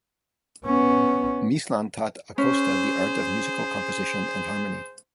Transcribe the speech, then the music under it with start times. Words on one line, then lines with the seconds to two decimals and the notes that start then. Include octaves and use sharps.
Mislan taught Acosta the art of musical composition and harmony.
0.65 B3 C#4
2.38 C#4 G#4 C5